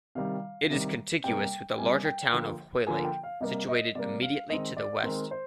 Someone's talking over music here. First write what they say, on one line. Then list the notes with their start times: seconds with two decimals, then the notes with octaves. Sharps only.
It is contiguous with the larger town of Hoylake, situated immediately to the west.
0.15 C3 D#3 G3 F5
0.70 C3 D#3 G3
1.24 C3 G3 A#3 G5
1.71 G5
1.78 C3 G3 A#3 G#5
2.05 G5
2.32 D3 F3 A#3
2.87 D3 F3 A#3 G#5
3.05 G5
3.23 F5
3.41 C3 G3 A#3 D#5
3.68 D#5
3.95 C3 G3 A#3 D5
4.22 F5
4.49 D#3 G#3 C4 D#5
4.77 D5
5.03 D#3 G#3 C4 A#4
5.31 C5